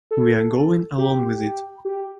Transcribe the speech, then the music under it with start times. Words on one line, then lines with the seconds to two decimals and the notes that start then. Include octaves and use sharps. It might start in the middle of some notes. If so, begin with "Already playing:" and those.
We are going along with it.
0.11 A4
0.98 G4
1.85 G4